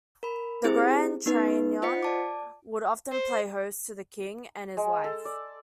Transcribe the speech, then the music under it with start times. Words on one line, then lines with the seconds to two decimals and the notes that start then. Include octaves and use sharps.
The "Grand Trianon" would often play host to the King and his wife.
0.23 A#4 B5
0.64 C4 E4 G4 G#4 C5
1.26 B3 C#4 D#4 B4
1.82 F4 C5 D#5 F#5 B6 C#7
2.03 D5 A5 D6
3.11 C5
4.77 G#3
5.04 A4
5.25 D5